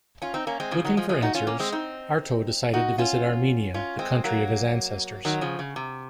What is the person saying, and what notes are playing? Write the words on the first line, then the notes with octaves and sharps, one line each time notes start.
Looking for answers, Arto decided to visit Armenia, the country of his ancestors.
C#4 F4
C4 D#4
A#3 C#4
G#3 C4
C#3 F3
D#3 F#3
F3 G#3
F3 G#3
D#4 F#4
C#4 F4
A#3 C#4
G#3 C4
C4 D#4
D#4 F#4
C#4 F4
C#4 F4
G#3 C4
F#3 A#3
D#3 F#3
C#3 F3
C#3
C3